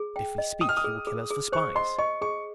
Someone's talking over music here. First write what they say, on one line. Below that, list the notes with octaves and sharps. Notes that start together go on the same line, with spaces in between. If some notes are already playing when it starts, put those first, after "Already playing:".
But if we speak, he will kill us for spies.
Already playing: G#4
G5
D#5
G5 D#6
F6
D#6
G#4
G#4
G#4
C5 C#6
D#5 C6
D#5 C#6
G#4 C#6